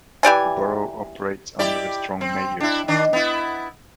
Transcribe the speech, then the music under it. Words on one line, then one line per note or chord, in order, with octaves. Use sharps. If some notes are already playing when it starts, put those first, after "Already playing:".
The borough operates under a "strong mayor" system.
E3 G4 D5 G#5
E4 G4 D5
C4
D4 E4
D#3 D4 D#5
B3 E4